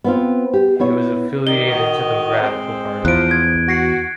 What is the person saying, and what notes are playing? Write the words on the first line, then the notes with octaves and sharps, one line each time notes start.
He was affiliated to the Radical Party.
B3 C4 F4
G4
B3 E4 C#5
D#3 D#4 D5 G7
D#3 F#4 D#5
G#3 C4
E2 F3 F#6 D7
G#6
F#4 A#6 C7 C#7